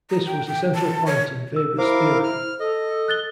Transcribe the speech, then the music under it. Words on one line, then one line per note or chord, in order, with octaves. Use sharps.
This was a central point in Weber's theory.
A#5
G5
G5
A5
C#5
E6
E4 A#4 C5 F5 D6
F6
A4 D#5
F#6 A6 G7